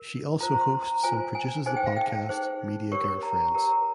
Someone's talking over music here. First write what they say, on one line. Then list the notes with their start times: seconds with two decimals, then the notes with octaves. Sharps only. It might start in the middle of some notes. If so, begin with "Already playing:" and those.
She also hosts and produces the podcast Media Girlfriends.
Already playing: A#4
0.40 F4 C5 A#5
0.61 C6
0.83 A#5
1.03 F4 C5 G#5
1.35 G#5
1.66 D#4 G#4 C5 G#5
1.76 G5
1.86 F5
1.96 G5
2.29 D#4 G#4 C5
2.92 G4 A#4 C#5 C#6
3.23 A#5
3.55 G4 A#4 C#5 A#5